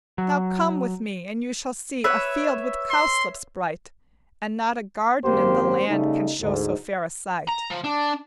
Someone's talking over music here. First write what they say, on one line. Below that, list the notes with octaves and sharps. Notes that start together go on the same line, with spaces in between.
"Now come with me and you shall see A field with cowslips bright And not a garden in the land Can show so fair a sight."
F#3
B4 C#5 E5
C6
G#1 F#2 A#3 C4 G4 C5
C#3 G3 A3 D#4
D2 G#2
A#5
F3
D4